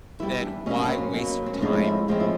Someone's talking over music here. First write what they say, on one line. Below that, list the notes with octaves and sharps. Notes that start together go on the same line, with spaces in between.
then why waste your time
E3 G3 B3 E4
D4
B2 F#3 A#3 C#4
D4
C4
C#4
B2 F#3 A#3
C4
C#4
A2 F3 G#3 C4 D4
D#4
E4
A2 F3 G#3 C4
E4